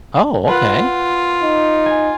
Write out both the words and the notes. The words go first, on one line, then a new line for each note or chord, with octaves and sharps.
Oh, okay.
F4 B4 F#5
D#4
G#5